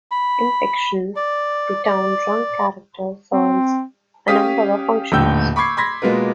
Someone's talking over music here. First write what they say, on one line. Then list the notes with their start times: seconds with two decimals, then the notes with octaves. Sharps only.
In fiction, the town drunk character serves a number of functions.
0.11 B5
1.16 D5
1.84 D5
3.33 C4
4.28 C#4 G4 F5 D#6 B6
5.12 D#1 A2 D3 G5 E6 G6
5.56 B5 C#6 D6 G#6 C7
5.77 B5 C6 G#6 A#6 B6
6.02 B2 G#3 A#3 F4 A#4 B4